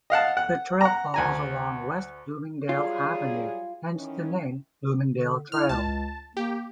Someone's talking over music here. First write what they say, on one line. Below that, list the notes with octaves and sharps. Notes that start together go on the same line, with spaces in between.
The trail follows along West Bloomingdale avenue, hence the name "Bloomingdale Trail".
D#5 F5 F#5 A5
F#5
F#5 A#5
D2 G#5 A#5
F#3 G3 F4 G#4
D#3 E3 C#4
D3
E4 F6
C#2 A5
A#3 G4